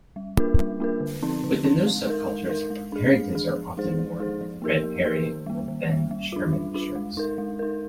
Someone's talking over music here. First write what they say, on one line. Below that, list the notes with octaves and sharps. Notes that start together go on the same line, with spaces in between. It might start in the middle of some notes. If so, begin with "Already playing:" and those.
Within those subcultures, Harringtons are often worn with Fred Perry or Ben Sherman shirts.
G3
A#3 D4 F4 A#4
G3
A#3 D4 F4 A#4
D3
F3 C4 D#4
D3
F3 C4 D#4
G#3
D#4 A#4
G#3
D#4 A#4
G#3
D4 G#4
G#3
D4 G#4
F3
G#3 D#4 G#4 C5
F3
G#3 D#4 G#4 C5
F3
A#3 D#4 G4 A#4
F3
A#3 D#4 G4 A#4
D#3
G3 A#3
D#3
G3 A#3
G3
D4 F4
G3
D4 F4
G#3
D#4 A#4
G#3
D#4 A#4